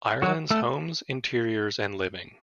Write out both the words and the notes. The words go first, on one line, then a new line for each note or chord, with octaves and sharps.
Ireland's Homes Interiors and Living.
F#3 F#4
A3 A4